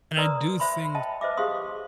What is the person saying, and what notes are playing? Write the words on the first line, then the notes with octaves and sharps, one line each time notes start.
And I do think
A#4 B4 D5 A#5 C6 D#6
C5 E5 B5 C6
D#5 E5 G5 A5
B4 C5 D#5 E5 D6
G4 G#4 C5 F5 C6 D#6